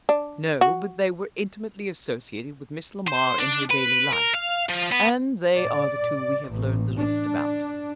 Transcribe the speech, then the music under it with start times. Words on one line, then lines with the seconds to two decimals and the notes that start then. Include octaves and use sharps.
"No, but they were intimately associated with Miss Lamar in her daily life and they are the two we have learned the least about."
0.09 D4
0.61 F#4
3.08 C5
3.39 D4
3.71 B4
4.13 A#4
4.35 F5
4.69 F3
4.92 B3
5.56 D5
6.49 A1
6.98 D4